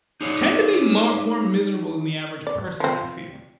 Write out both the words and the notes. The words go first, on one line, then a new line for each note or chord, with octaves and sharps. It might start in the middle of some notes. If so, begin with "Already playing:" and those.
tend to be mar more miserable than the average person, I feel.
D#4 G#4 C#5 D5
D5
F3 C4